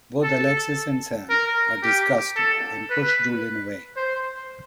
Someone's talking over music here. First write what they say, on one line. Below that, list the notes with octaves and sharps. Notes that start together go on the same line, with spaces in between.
Both Alexis and Sam are disgusted, and push Julian away.
A4
A#4
G4
A4
B4
C5